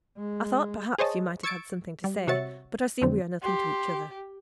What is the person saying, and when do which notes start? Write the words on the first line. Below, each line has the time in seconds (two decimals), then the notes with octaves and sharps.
I thought, perhaps you might have had something to say, but I see we are nothing to each other.
0.17 G#3
0.98 G#4 C5 C#5 D#5 A5
1.43 C#6 E6 G#6 A6 C#7 D7
2.04 G3
2.27 C3 F#4 C#5 E5 A6 C#7
3.02 F2 D3 F#3 C4
3.43 G4 C6